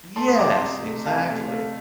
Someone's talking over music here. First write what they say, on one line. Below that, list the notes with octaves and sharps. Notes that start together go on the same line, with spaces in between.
Yes, exactly.
A3 A5 C6
C6 D#6
C3 A#5 D6
A5 C6
C3
A3
C3 F5 A5
A3
A3